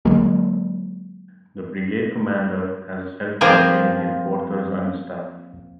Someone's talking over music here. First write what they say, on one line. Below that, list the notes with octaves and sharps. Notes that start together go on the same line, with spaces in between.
The brigade commander has a self-contained headquarters and staff.
D3 F#3 G#3 A#3
F3 A#3 C4 F4 G#4